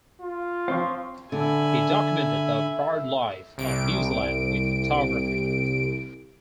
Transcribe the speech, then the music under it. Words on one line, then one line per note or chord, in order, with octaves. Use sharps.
He documented the birdlife of New Zealand with photography.
F4
F3 C4 F5 C6 C#6
D3 E5 G#5 B5
C2 D7